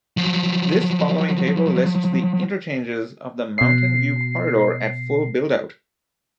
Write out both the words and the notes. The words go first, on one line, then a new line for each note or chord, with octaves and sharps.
This following table lists the interchanges of the Mountain View Corridor at full build-out.
F3 F#3
B2 C7